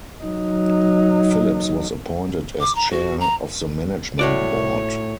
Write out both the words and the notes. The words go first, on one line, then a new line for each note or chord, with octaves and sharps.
Phillips was appointed as Chair of the Management Board.
F#3 D#4
D6
A#5
F#4
A#5
A2 F#4 C#5 D5